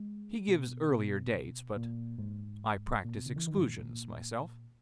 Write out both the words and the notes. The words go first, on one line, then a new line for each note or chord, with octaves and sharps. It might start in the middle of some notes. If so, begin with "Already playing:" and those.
He gives earlier dates, but I practice exclusions, myself.
Already playing: G#3
B2
B2
A#2
G#2
A#2
B2
C#3
E3
D#3
G#2
A#2
A#2
A#2